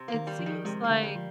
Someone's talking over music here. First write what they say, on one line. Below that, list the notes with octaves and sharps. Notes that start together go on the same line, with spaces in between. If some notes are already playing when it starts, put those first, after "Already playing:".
it seems like
Already playing: C3
A#3
D#3
G3
F3
D#3
C3 G#3
A#3
D3
G3
F3